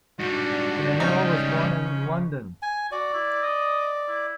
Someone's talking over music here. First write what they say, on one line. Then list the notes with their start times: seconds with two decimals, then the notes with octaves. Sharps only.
Daniell was born in London.
0.20 G#2 G3 D4 F#4
1.00 C#3 F3 C#4 D#4
2.62 G#5
2.92 F#4 D5
3.14 E4
3.43 D#5
4.08 E4